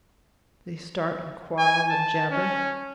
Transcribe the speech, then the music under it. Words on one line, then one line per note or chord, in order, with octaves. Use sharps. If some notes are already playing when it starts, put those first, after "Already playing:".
They start and quarrel and jabber.
G#5
A5
C#4